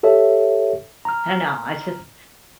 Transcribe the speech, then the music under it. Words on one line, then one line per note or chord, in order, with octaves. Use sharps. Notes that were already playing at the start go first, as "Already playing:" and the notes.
I don't know, I just
G4 A4 C#5 E5
A#5 F6